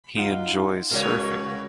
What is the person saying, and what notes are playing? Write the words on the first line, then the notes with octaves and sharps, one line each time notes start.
He enjoys surfing.
D#4 F4 F#5
C#2 B2 F#4 A#4 C#5 F5